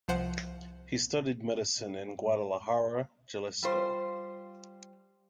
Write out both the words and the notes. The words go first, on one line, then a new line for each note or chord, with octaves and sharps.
He studied medicine in Guadalajara, Jalisco.
C2 F3 C5 F#5
G3 F4 C5